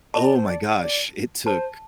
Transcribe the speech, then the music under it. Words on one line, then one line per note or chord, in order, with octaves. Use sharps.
Oh my gosh. It took
D#5 A5
D5
C5
D5
D5
C5 A5